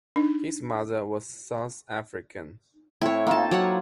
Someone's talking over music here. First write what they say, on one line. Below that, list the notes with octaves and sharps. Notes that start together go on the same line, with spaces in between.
His mother was South African.
D4 D#4
A2 C4 E4 C#5
A#3 D#4 F4 A5
F#3 C#5 F#5